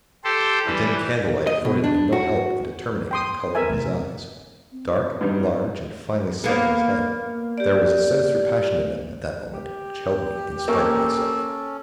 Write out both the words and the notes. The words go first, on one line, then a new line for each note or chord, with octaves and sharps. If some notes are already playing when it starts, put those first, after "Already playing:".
The dim candlelight afforded me no help in determining the color of his eyes. Dark, large, and finely set in his head, there was a sinister passion in them, at that moment, which held me in spite of myself.
G4 A4 C5
E3 G3
D#5
B2
D4
F#4
G5 C6 D#6
A#4 E5 G#5
F1
C4
G2 G3 D#4
A#3 B3
G4 D5
G4
A#3 C#4 A4 C#6